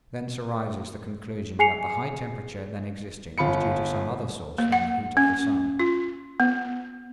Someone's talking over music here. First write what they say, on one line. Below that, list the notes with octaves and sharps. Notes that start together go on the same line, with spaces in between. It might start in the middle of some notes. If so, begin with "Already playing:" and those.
Thence arises the conclusion that the high temperature then existing was due to some other source than the heat of the sun.
G#4 G#5 C7 C#7 F7
G1 F4 B5 C#7
A#3
F#5
C#4
F4
B3